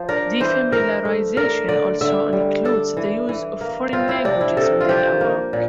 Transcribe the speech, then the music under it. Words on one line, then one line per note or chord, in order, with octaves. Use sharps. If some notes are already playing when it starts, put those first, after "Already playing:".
Defamiliarization also includes the use of foreign languages within a work.
Already playing: F3 C5
D4 A#4
E3 C5
E3 A#4
A3
D4 A#4
D3 D5
D3 E5
G3
D4 A4
E3
E3
A#3
C4 F4
E4
C3 D4
E4
C3 A4
F4
F3 G4
A#3
A#2